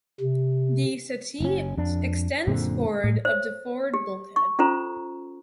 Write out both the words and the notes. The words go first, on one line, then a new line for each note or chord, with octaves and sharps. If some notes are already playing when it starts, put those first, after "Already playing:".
The settee extends forward of the forward bulkhead.
C3
F#1 C#4
F2 D4
F#2 A#2 D3 C4
A2
C5 C#5
G4
C#6
C#4 F4 A4 C5 A#5